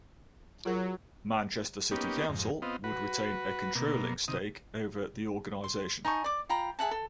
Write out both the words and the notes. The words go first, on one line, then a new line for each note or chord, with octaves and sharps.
Manchester City Council would retain a controlling stake over the organisation.
F#3 F4 G#4 A#4
A#3 B3 C#4 D#4 G4
F2 G#2
B3 C4 F4 D#5
F#4 B4
B2 A#3
C3 D#3 D#6
C6
D#4 G#5 A5 C#6
D5 D6
F4 G5 A#5 B5
G#4 E5 F#5 A5
A4